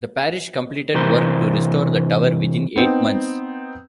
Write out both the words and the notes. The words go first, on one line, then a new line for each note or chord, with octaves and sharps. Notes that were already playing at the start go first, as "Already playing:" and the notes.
The parish completed work to restore the tower within eight months.
C3 E3 A#4 C5
B3 C4 D#4